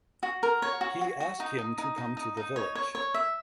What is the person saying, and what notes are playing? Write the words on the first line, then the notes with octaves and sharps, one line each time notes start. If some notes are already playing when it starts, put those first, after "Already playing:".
He ask him to come to the village.
F#4
A#4
C#5
F#4
F#4
F#4
D#4
D#4
D#4
D#4
D#4
D#4
C#5
C#5
C#5
E5